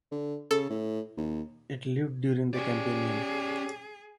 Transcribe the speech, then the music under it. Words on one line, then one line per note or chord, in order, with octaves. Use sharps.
It lived during the Campanian.
D3
C#3 A4
A2
D#2
C#4 G4 G#4 D5